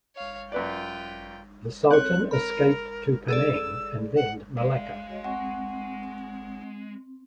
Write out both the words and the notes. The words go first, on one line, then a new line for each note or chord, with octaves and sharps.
The Sultan escaped to Penang and then Malacca.
C#5 F5
F#2 F4 B4 D5 G5
C4 C#5 F#6
A#4 B5
G#4 A4 D5 E6
F#5
G#3 D5 E5 F5
F#4 C#5 D#5
C4 F#5 G#5 C#6